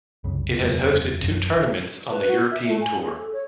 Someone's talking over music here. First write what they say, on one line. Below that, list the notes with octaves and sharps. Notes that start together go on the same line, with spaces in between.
It has hosted two tournaments on the European Tour.
C2 F#2 C#3
E1 F#2 C#3 B3
B1 F#2
B4
F#4
E5
A3
G#5
G#4
A4
C#5